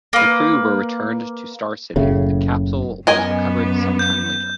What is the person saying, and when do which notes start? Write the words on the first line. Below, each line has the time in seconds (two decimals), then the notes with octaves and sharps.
The crew were returned to Star City; the capsule was recovered some time later.
0.13 A#3 B4
1.96 F#1 F#2 A2 C#3
3.07 F#2 B3 A#4 D#5 G#5
3.99 G6